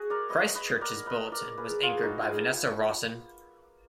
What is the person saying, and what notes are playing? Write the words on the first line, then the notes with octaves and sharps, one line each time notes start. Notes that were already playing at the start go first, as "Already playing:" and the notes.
Christchurch's bulletin was anchored by Vanessa Rawson.
Already playing: F#4 G#4
A#4 D5
B4 D#5
B4 D#5
A#4 D5
B4 D#5
A#4 D5
D5
G#4 B4
F4 G#4
D#4 F#4
F4 G#4